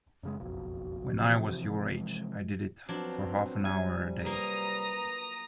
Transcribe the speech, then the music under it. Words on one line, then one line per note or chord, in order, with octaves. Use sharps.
When I was your age, I did it for half-an-hour a day.
F#2 C#3 G#3
F#1 B1 F2 F#4
C3 E3 F3
G#3
F3 F#3 B3 C4 D4 F#4
C3 G3 G#5
A#3 B4 A#5 D#6 A#6